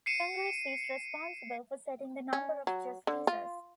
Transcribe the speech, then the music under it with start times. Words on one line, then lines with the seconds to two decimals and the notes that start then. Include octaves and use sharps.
Congress is responsible for setting the number of justices.
0.06 C7 C#7 D#7 E7
2.33 C#4
2.67 F#3
3.07 D3
3.27 F4